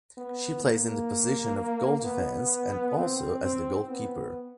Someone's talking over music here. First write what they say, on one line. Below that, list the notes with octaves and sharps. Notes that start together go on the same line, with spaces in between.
She plays in the position of goal defense and also as the goal keeper.
B3
A#3
B3
C4
C4
B3